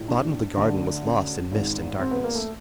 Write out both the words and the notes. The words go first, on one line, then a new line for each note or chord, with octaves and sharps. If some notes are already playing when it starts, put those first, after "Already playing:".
The bottom of the garden was lost in mist and darkness.
Already playing: A#1 A2 E3
D4
D2 D3
C#4
G#1 G#2 D#3
C4
B3
A#3
A3